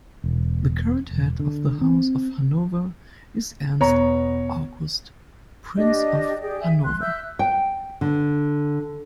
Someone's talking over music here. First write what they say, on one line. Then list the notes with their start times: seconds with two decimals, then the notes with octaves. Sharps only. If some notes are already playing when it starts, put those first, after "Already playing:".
The current head of the House of Hanover is Ernst August, Prince of Hanover.
0.24 E1
1.11 E1
1.40 D3
1.81 C4
3.81 E2 B2 B3 C#5 A#5
5.76 D4 G4 D5 D#5
6.40 G4 G#4 D5
6.59 E5 G#5
6.83 C6 F#6
7.01 E5 E6 F#6 G6
7.39 G5
8.01 D3